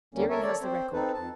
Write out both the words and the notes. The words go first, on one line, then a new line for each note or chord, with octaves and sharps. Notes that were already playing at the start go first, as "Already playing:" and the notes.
Deering has the record.
E2 D3 G3 A#3 C#4
A4 A#4 C#5 E5
A4 C#5 D5
C4 C5
C4 D#4 A4 B4
F2 A5